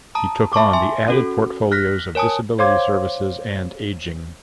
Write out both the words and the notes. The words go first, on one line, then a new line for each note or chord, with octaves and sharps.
He took on the added portfolios of Disability Services and Ageing.
A5 A#5 D#6
E5 A5 C#6 D6
E5 G#5 C6
C#4 F#4 A4
F6 F#6 A#6 B6
A#4 C#5 G#5 A5 D#6
C5 C#5 F5 C6 D6 G#6